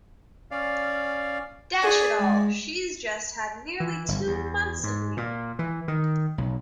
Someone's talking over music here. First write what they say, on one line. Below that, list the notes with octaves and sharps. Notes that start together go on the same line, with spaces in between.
Dash it all, she's just had nearly two months of me.
C#4 D5 F5
G#4 D5 G#5
G#3
E3
G1
E2
G#2
A#2
E3
D#3
B1